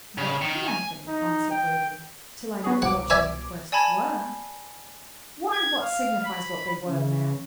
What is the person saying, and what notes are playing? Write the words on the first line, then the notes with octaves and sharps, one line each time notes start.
'What can I think,' answered Waverley, 'till I know what your requests were?' 'Why, what signifies what they were, man?
C#3
D#3
G#5
D#4
G5
B3 F#4 G#4
C2 B2 F#5 D6
D5 E5 G#5
D5 G#5 A5 B5 G#6
G#6
F5
B5
C#3